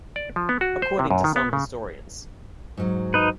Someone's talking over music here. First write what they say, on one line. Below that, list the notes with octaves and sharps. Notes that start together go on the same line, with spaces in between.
According to some historians.
D5
F3
B3
F#4
C5
C3
F#2
D#3
B3
C#3
G#2 F#3
D#4 B4